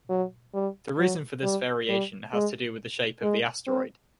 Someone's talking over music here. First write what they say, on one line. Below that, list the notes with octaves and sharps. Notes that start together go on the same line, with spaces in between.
The reason for this variation has to do with the shape of the asteroid.
F#3
G3
F#3
G3
G3
G#3
G#3
C4